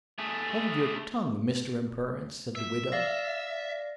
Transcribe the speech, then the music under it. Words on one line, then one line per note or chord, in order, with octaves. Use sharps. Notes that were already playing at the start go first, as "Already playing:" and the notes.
"Hold your tongue, Mr Imperence," said the widow.
A3 G#4
E5
D5 F5 A#6